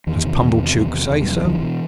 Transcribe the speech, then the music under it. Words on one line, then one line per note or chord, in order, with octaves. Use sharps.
"Does Pumblechook say so?"
E2 D#3
C3
E2
C3
E2
C3
E2
G3
C3 F#3
F3
C#2 D3 E3
B2